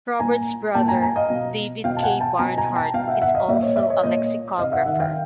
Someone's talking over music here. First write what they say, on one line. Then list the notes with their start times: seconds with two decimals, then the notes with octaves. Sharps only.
Robert's brother David K. Barnhart is also a lexicographer.
0.20 A#2 G#5 A#5
0.74 A#2 G5 A5
0.88 G#5 A#5
1.02 G#5 A#5
1.16 D#5 F5
1.30 B2
1.84 B2 F5 G5
1.97 A5
2.03 F#5 G#5
2.21 G5 A5
2.39 B2 G#5 A#5
2.58 G#5 A#5
2.76 G5 A5
2.94 B2 F5 G5
3.08 E5 F#5
3.22 E5 F#5
3.35 D#5 F5
3.48 A#2 D5 E5
3.63 C#5 D#5
3.76 D5 E5
3.90 C#5 D#5
4.03 A#2 C#5 D#5
4.58 C3 D#5 F5
4.72 E5 F#5
4.86 D#3 E5 F#5
5.00 F5 G5